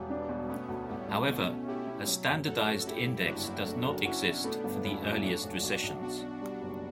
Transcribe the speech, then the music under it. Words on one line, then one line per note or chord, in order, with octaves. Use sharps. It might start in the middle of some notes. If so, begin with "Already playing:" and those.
However, a standardized index does not exist for the earliest recessions.
Already playing: E1 G3 B3
D4
B2
A3 B3 C#4
D2
A1 G3 B3
A1
B2 A3 C#4
B2
C#4 E4 G4
B2
F#3
F#1
A3 F#4 A4
A1
A3 E4 G4
G1
F#1 D4 F#4
F#1
A3
F#1
C#4 E4 F#4
B2
A3 B3 D4
G1
E1 C#4 E4
E1
A3 D4 F#4
E1
B1
B1
B2 D4 F#4
B2
G3 D4 F#4
F#1